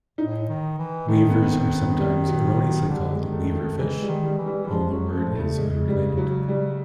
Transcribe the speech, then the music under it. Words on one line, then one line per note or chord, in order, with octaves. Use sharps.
Weevers are sometimes erroneously called 'weaver fish', although the word is unrelated.
A2 D#4
D#3
E3
D#3 A3
B3
C4
B3
G3
F#3
F#3
D3 G3
G#3
D#3
A3
D#3
A3
E3 G#3
G3
D#3
G3
E3
G3
G3
F3 G#3
F#3
F3 A3
C#3 A3
G#3
G3
F#3
G3